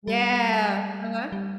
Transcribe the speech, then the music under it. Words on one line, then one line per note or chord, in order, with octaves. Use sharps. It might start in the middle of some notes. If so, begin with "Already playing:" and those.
Yeah. Uh-huh.
G3
G3